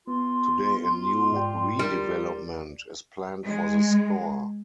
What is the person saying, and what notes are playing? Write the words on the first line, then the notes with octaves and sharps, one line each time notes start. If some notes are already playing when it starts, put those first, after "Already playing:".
Today a new redevelopment is planned for the store.
B3 F4 C6
G#2 D5 G5
G3 A#4
G#3